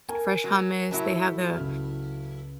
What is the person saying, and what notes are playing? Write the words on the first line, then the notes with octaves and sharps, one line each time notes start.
Fresh hummus, they have the
A#4 G#5
F#3
A2 F#3 E4
C#2 F6